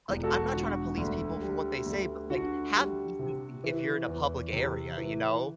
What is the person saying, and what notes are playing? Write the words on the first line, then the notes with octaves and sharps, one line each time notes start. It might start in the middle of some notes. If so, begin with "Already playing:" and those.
like, I'm not trying to police people for what they say, but like, have decency if you're in a public area, you know.
E1
F#4 A4
D3 F#4
D2
G3
D2
D3 F#4
G3
C3
E3
E2
C3
E3